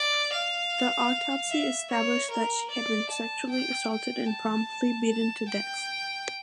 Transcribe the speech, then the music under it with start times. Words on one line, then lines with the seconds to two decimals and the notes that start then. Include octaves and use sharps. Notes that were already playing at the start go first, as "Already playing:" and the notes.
The autopsy established that she had been sexually assaulted and promptly beaten to death.
Already playing: D5
0.32 F5
1.51 E5
1.90 C#5
2.31 A#4
2.71 D5
3.09 A5
3.49 G5
3.89 G5
4.28 A5
5.08 A5
5.48 G5